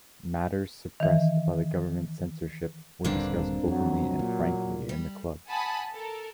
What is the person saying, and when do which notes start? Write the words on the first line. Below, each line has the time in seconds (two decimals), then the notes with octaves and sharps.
Matters suppressed by government censorship were discussed openly and frankly in the club.
1.00 D#3 E3
3.04 D#1 G2 D3 A#3 C4 D4
3.68 F2 F#3
4.19 A#2
4.89 G3
5.49 F#5 G#5 A5 B5 D#6
5.93 A4 A#4